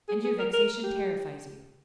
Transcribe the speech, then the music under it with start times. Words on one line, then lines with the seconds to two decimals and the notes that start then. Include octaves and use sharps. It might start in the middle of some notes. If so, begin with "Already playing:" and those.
And your vexation terrifies you.
0.09 G#4
0.24 G#4
0.39 A#4
0.53 A#4
0.83 G4